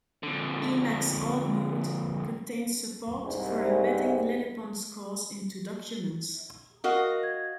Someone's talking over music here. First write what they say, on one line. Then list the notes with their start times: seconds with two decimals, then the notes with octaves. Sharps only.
Emacs' org-mode contains support for embedding LilyPond scores into documents.
0.23 F2 D3
3.24 C2 G#2
6.84 F#4 A#4 D#5 F5
7.23 G#6